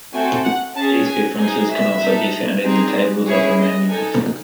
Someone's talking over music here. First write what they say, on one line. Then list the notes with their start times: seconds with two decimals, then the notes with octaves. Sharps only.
These differences can also be found in the tables of the manuals.
0.13 A3 C4 F#4 A4 G#5
0.44 F#5
0.75 C#4 G#4 A5
1.06 G#5
1.38 D#4 G#4 G#5
1.70 E5
2.02 D#4 A4
2.64 C4 D#4 G#4
3.26 C#4 E4 G#4 C#5
3.59 D#5
3.89 D#4 A4 G#5